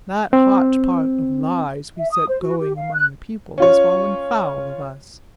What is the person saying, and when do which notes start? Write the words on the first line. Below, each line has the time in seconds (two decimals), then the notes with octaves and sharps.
That hotch-pot of lies we set going among the people has fallen foul of us.
0.33 C4
1.97 E5
2.12 D#6
2.28 C5
2.41 F#4
2.59 G4
2.77 F5
2.93 F#6
3.58 C#4 F4 C#5